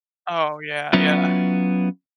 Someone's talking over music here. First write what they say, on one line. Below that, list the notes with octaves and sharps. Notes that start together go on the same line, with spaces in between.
Oh, yeah yeah.
F#3 B3 C#4 E4 F4